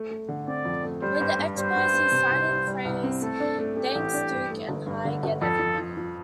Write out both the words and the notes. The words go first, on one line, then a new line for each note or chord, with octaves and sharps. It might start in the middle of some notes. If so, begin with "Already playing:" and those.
With the Expos, his sign-in phrase Thanks Duke and hi again, everybody.
Already playing: A3
A3
D3
C4 D5
F2
A3
G3 C5
G2
G2
G3 C5
G2
G2
C3
C2
G3
G3
C2
C4
A3 A4
D4
A3
A3 G4
A1
D4
G2
A3
G1
G2
D3
G1
F2 A4
F3
F3
F3